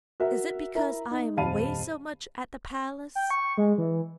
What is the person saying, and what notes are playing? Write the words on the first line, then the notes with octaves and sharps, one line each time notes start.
"Is it because I am away so much at the palace?"
F#4 A#4 E5
E4 A#4 E5 A#5
D#4
D#1 F2 F5 A5 B5 D#7
G5
C#6
G#3
E3